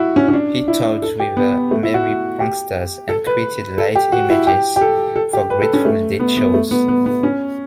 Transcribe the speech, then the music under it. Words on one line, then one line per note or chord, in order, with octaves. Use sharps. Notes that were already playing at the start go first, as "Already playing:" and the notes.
He toured with the Merry Pranksters, and created light images for Grateful Dead shows.
Already playing: E4 F#4
C#4
C#4
D4
E4
A4
G4
B3
A3
E4
F#4
G4
A4
B4
A4
G4
F#4
E4
G4
G4
A4
A4
G4
B4
A4
C#4
A3
B3
B3
A3
B3
B3
B3
C#4